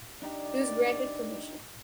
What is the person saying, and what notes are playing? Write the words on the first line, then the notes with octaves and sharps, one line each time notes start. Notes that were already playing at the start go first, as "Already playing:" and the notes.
He was granted permission.
D4 D#4 G4 D5